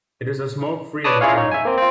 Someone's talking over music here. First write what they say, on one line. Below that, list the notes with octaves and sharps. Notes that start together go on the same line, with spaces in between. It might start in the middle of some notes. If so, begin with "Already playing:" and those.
It is a smoke-free environment.
B4 C#5 D5 A5 D#6
C#4 E4 F4 G#4 C#5 F5
D#4 C#5
E5 G#5
A#3 C4
C4 F4